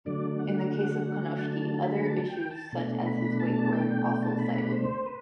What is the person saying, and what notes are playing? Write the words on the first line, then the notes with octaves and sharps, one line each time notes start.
In the case of Konishiki, other issues such as his weight were also cited.
D3 F#3 A3 D4 D5
F#5
A5
A5
B5
A5
G5
A5
B2 A3 D4
B5
A5
G5
G5
A5
B5
B5
C5
B4